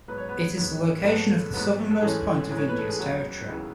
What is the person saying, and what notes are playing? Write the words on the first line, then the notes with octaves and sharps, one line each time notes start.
It is the location of the southernmost point of India's territory.
G#2 F#3 B3 B4
C#5
B3 B4
G#2 F#3 B3
G#2 F#3 A3 B3 A4
G#2 F#3 B3
A4
G#2 E3 G#3 A3 C#4 G#4
G#2 E3 A3 C#4
C#5
B4
A4
G#4
D#2 C#3 F#3 G#3 B3 F#4
D#2 C#3 G#3 B3 E4